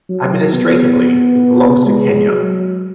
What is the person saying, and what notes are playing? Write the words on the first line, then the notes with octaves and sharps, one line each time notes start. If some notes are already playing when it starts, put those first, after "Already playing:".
Administratively it belongs to Kenya.
F#3
B3
G#3
F#3